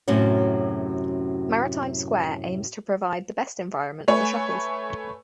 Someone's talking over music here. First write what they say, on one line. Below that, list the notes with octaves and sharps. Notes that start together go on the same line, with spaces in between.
Maritime Square aims to provide the best environment for shoppers.
F#2 A2 C3 F#3 C#4 F#4
A3 B4 C#5 G#5